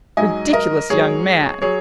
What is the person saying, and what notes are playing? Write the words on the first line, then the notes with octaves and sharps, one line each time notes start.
Ridiculous young man!
G#2 F#3 D#5 G#5
A#4 D#5
G#2 F#3 G#4 C#5
F#3 G#4 C#5